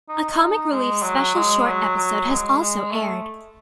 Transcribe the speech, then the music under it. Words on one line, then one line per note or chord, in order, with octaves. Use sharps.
A Comic Relief special short-episode has also aired.
D#4
D#4
D#4
G#3
F#3
G#3
F#3
F#3
G#3
G#3
A3